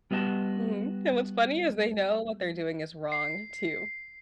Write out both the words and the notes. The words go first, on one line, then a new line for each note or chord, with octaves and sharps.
Mhm. And what's funny is they know what they're doing is wrong too.
G3 B3 F#4 D#5 A5
C7